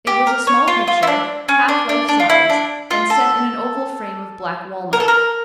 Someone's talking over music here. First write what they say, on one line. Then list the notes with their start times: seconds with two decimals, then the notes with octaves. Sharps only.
It was a small picture, half life-size, and set in an oval frame of black walnut.
0.07 G4
0.27 A#4
0.47 C#5
0.68 F4
0.87 F4
1.03 E4
1.07 D4
1.49 C#4
1.68 D4
1.89 D4
2.08 D4
2.20 F4
2.30 E4
2.50 D4
2.91 F4
3.10 A4
4.93 A#4
5.00 A4
5.08 A#4